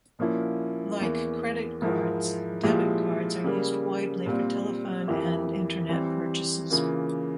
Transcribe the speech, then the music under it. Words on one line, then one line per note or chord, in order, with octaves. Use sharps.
Like credit cards, debit cards are used widely for telephone and internet purchases.
A#2 F3 A#3 C#4 E4
E2 E3 A#3
G#2 F3 G#3 E4 A#4
A#2 F3 G#3 E4 G4
C#3 G3 A#3
A#2 G3 C4
F2 E3 A#3 E4 G4
E3 G3 C4 G4
C#3 E3 A#3 F4